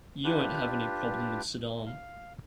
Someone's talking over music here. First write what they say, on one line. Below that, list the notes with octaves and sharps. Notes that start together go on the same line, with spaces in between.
You won't have any problem with Saddam.
D4 F4 G4 B4
F5